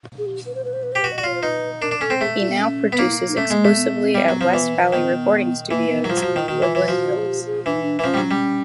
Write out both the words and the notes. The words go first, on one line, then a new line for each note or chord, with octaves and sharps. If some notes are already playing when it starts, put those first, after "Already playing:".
He now produces exclusively at West Valley Recording Studios, in Woodland Hills.
G#4
G4
B4
C5
B4
C5
B4
G4 C5
F#4 B4
D#5
F#4 D5
F4 C#5
C5
D#4 B4
D4 A#4
D4
C#4 A4
C4
A3 G#4
F4
B3
C#4
B3
A#3 D#4
E4
D#4
A3 C#4
B3
G#3
A#3
A3 B3
B3
C4
B3
C4
G3 B3
C4
F#3 B3
F3 C4
B3
E3
D#3 B3
C4
B3
E3 A#3
B3
F#3
F3 F4
F#3
F3 F#4
D#3 F4
D#3 F#4
E3 F4
E3
F3 F#4
G#4
G4
G#4
E3 D4
D#4
D4
E3
F3 C#4
G3
F#3 D4
C#4
G3